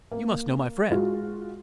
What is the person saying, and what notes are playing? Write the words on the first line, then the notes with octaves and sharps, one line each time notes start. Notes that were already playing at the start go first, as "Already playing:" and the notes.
You must know my friends....
A#3
G#3 F4 F#4